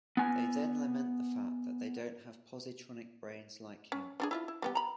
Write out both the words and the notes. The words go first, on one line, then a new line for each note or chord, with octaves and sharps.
They then lament the fact that they don't have positronic brains like him.
B3 G#5
C#4
F3 D4 G#4
E4 F4 E5
E4
G3 B3 G4
A#5 B5